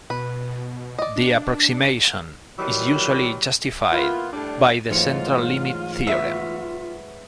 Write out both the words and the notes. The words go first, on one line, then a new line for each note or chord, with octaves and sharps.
The approximation is usually justified by the central limit theorem.
B2 B4
D5 D#5
D4
A#2 D#3 E3 F#3 G3
A#3 B3 E4 F4
A2 G3 D4
G#2 E3 F#3 A3 F4 C#7
B3 F#4 E5